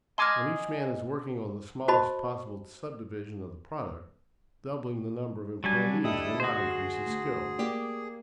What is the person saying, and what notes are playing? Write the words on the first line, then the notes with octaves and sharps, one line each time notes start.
When each man is working on the smallest possible subdivision of the product, doubling the number of employees will not increase his skill.
D#5 G#5 C6 D6 F6
F#4 C5 D#5 A5 B5
F#3 G3 D4 G#5
D2 D4 E4 G4 A4 D#5 D#6
F#4 G#4 C5
D2
A#3 G4 D5